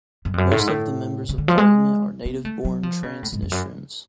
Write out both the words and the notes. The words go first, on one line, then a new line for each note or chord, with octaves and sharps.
Most of the members of parliament are native-born Transnistrians.
F#2
F2
F#2
A2
G#2
A2
C#3
D3
F3
G#3
B3
A3
F#3
F3
C#3
A2
G#2
F2
F#2